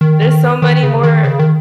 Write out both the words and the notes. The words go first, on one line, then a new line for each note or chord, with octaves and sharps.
there's so many more
D#3
D#3
D#3
C#3
D#3
C#3
D#3